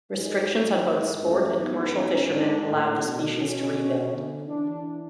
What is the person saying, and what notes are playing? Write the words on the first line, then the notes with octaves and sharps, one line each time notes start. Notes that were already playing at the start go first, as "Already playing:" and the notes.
Restrictions on both sport and commercial fishermen allowed the species to rebuild.
G#2 G#3
F#3
G#3
F#2 A3
G#2 B3
C#4
G#2 D4
A2
B2
C#4
D3
E3 D4